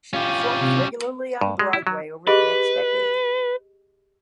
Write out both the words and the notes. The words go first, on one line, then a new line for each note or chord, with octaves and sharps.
She performed regularly on Broadway over the next decade.
C#4 F4 G4
C3
G2
G#3
E4
F#3
G4 G#4 B4 D#5